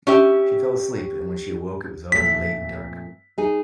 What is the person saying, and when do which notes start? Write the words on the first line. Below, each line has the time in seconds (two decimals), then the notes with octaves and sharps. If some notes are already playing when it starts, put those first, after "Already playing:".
She fell asleep, and when she awoke it was already late and dark.
0.07 C#4 G4 E5
2.12 F2 A#2 A3 B6
3.38 D#4 G#4